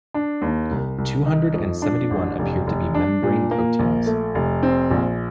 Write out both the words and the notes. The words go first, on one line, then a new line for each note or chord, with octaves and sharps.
Two-hundred and seventy one appear to be membrane proteins.
D4
D#2
C2
C2
D#4
F2
D4
A1
F1
F1
D4
A#2
A#3
A#1
A3
F1
C4
A#1